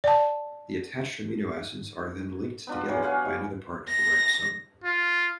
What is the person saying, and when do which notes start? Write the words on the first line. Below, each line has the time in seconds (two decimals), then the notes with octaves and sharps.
The attached amino acids are then linked together by another part of the ribosome.
0.04 D5 A5
2.67 B3 D4 F4
2.88 E3 F#3
3.03 C#5 F5 F#5 G#5
3.25 G3
3.87 A#6
4.84 F4